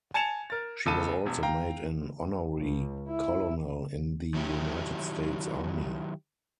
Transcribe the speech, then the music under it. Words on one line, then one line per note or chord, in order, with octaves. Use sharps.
She was also made an honorary colonel in the United States Army.
G#5 A5 G#6 C#7 E7 F7
A#4 A6
C#2 A4 A5 D#7
E1 E2
F5 G5 A#5
C#2
E4
D#3 F#3 E4 G4